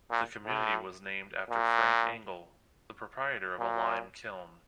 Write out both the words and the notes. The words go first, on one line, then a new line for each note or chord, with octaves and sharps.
The community was named after Frank Engle, the proprietor of a lime kiln.
A#2
A2
A#2
A#2